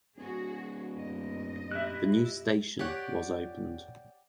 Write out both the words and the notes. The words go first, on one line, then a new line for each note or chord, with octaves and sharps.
The new station was opened.
D1 F#4 G#4
F#2 A#2 D#5
E4 G4 E5 F#6
G4 C#5 D5 F#5